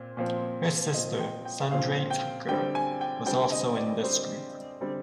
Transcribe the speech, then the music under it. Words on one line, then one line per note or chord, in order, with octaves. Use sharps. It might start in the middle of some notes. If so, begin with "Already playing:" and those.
Her sister, Sundray Tucker, was also in this group.
Already playing: A#2 C4
A#2 F3 C4
A#2 F3 C4 D#5
G5
G5
A#2 F3 C4 F5
G5
D3 G3 C4 G5
G#5
G5
D3 G3 C4 G5
D#5
D5
D3 G3 C4 C5
D3 G3 C4